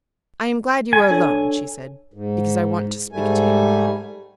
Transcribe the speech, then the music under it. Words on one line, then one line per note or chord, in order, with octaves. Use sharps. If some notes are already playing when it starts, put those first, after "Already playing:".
"I am glad you are alone," she said, "because I want to speak to you."
G#5
D4 A4 C#5
G#2
G#2 G3 A3 G#5